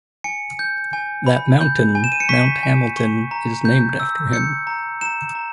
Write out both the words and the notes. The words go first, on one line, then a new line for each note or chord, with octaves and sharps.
That mountain, Mount Hamilton, is named after him.
G#5 C#7
G6
G#5
B5
G6
G#5
E7
D#7
C#7
C#6 B6
G#5
C#6
A#5
G6
E6
G6 C#7
A#5
A#5 E7
A#5